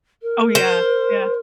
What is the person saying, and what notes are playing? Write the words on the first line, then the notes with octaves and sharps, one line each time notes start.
Oh yeah, yeah.
A#4
C5